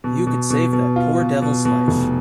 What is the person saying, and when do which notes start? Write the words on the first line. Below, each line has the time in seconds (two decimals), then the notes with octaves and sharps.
You could save that poor devil's life.
0.04 B2
0.27 B2
0.50 B2
0.73 B2
0.96 F4
1.19 B2
1.42 B2
1.65 B2
1.88 F1